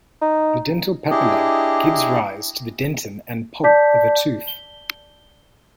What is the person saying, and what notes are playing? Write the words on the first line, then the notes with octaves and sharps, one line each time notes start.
The dental papilla gives rise to the dentin and pulp of a tooth.
D#4
D4 E4 G4 G#4 D#5
D5 A5 D6 G6 B6
G7